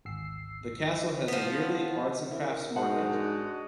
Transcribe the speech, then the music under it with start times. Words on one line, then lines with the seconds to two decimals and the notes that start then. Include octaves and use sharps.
The castle has a yearly arts and crafts market.
0.05 G#1 D2 E6 C7
1.28 F3 B3
2.31 E4 A#4
2.76 G#2 D4 F#4 C5 D#5 F#5